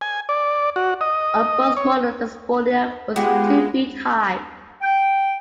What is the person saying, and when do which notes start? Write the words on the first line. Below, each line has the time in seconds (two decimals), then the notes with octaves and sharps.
On both models, the spoiler was two feet high.
0.01 G#5
0.29 D5
0.76 F#4
1.01 D#5
1.77 C#5
3.16 G#3 B3 F4 G4 G#4 F#5 G5
4.81 G5